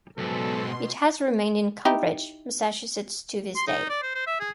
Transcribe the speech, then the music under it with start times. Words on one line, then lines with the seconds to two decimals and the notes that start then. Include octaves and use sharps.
It has remained in Cambridge, Massachusetts to this day.
0.18 C#2 G#2 B2 F#3 B3 A4 C6
1.85 D#4 E4 G4
3.56 C6
3.67 D#4
3.89 D5
4.02 C5
4.15 C5
4.27 E5
4.40 G#4